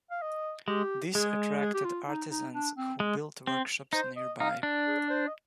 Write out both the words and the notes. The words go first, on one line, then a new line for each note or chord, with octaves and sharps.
This attracted artisans who built workshops nearby.
F5
D#5
G#3 G4
G#3 G#4
G#4
G4
F4
D#4
D#4
D4
C4
G#3
C4
D#4 C5
D#5
D#4 F5
D4
G#4
D5
C5
D#5